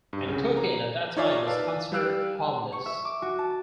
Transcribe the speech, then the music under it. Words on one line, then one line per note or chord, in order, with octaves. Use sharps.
And cocaine at that time was considered harmless.
G2
C2 C#3
A#5
D#4 F4 C#5 D5 E5 F5
B4 D5 F5 A5 E6
G3 B4 F5 E6 F#6 D7
C#6
E5
D6
F#4
A5